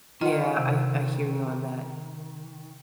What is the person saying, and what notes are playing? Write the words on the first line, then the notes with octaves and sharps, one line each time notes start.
Yeah, I I hear you on that.
D#3 F4 D#5 F#5
C3